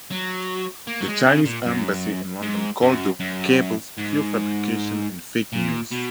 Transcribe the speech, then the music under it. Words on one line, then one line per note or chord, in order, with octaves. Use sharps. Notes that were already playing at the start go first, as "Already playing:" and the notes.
The Chinese embassy in London called the cables "pure fabrication" and "fake news".
F#3
A#3
F#3
G#3
C#3
A#2
F#2
G#2
F#2
F#2
G#2
A#2
B2